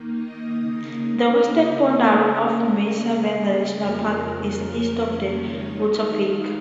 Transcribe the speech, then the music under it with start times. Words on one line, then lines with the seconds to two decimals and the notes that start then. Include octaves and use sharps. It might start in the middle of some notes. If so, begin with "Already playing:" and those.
The western boundary of Mesa Verde National Park is east of Ute Peak.
Already playing: D#3 A#3 D#4
0.16 D#5
0.57 C#3 A#3 D#4
2.18 C#3 A#3 C#4 A#4
3.40 G#4
3.80 F2 C#3 F3 A#3 C#4 A#4
5.41 D#3 G#3 D#4 C#5
5.82 D#5
6.22 F5